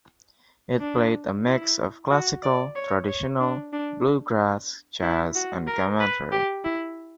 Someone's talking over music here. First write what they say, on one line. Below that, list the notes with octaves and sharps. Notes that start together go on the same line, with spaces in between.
It played a mix of classical, traditional bluegrass, jazz, and commentary.
D4
E4
F#4
D5
C#5
C#5
D4
D4
E4
F#4
A#4
B4
G4
E4